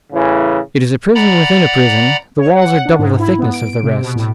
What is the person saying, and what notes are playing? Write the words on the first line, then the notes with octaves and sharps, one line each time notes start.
It is a prison within a prison; the walls are double the thickness of the rest.
A2 C#3 E3
D5 F#5 A#5 B5
C#5
F#5
F#5
D4
G#2
E4
B3
D7
C3
B2
A2